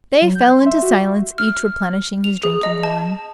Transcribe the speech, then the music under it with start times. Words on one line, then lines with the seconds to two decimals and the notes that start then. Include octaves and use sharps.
They fell into silence, each replenishing his drinking-horn.
0.22 F#3
0.35 G6
0.51 C6
0.66 E5
0.82 F#4
1.38 F6
2.24 F7
2.43 G#4
2.63 D#5
2.83 A5